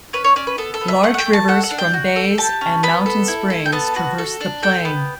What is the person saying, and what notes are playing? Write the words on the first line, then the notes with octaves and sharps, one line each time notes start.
Large rivers from bays and mountain springs traverse the plain.
C#4 B4
C#5
C#4 D5
B4
B3 A4
A4
B3
E5
A3 F#5
F#5
G5
A3
A5
A4 F#5
F#5
D4
G5
F#4
A4
G4 A5
C#4
B3 B5
A4
E4
A4
G5
B3 A5
F#4
A4
D4
A4 G5
B3